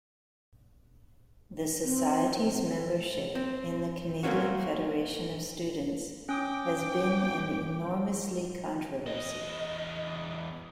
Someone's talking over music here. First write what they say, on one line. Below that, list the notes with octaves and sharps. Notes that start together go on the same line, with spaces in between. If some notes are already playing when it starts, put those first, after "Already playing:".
The society's membership in the Canadian Federation of Students has been an enormously controversy.
C4
C4
A3 A#3 C4 C#4 F#4
C#4 G5 D6 D#6
E2 D#5